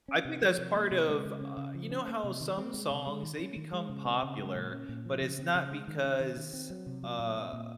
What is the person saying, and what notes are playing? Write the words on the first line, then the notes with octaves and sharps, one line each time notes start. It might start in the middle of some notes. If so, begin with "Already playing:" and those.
I think that's part of uh, you know how some songs, they become popular, but it's not because, uh,
C#4
C3
F3
C3
A#3
C3
G#3
C#3
C#4
C#3
F3
C#4
A#3
C3
D#3
C4
G#3
C3
G#3
D#3
C#4
D#3
G#3
C#3
C4
C#3
G#3
A#2
C#4
A#2
F3
C#3
C4
C#3
G#3
D#3
C#4
D#3
D#3
C4
F#3
C3
F#3
A#2
C4
A#2